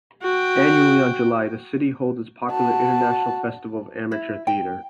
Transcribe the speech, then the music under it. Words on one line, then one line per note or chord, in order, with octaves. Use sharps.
Annually, on July, the city holds its popular "International Festival of Amateur Theater".
F#4 G5
F#4 A5
E4
G5